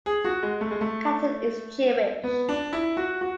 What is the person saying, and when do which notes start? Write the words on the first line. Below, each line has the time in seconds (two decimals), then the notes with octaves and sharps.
Katan is Jewish.
0.06 G#4
0.25 F#4
0.43 G#3
0.61 A3
0.71 G#3
0.81 A3
2.24 B3
2.49 D4
2.73 E4
2.97 F#4
3.21 F#4